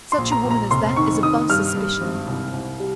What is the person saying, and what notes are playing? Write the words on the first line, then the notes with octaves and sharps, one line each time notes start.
Such a woman as that is above suspicion.
C6
A#1
A#5
A#1
A#5
F1 C6
D#3 C#6
D#3 D#6
G2 F6
G2
G#1
C2
C2
G3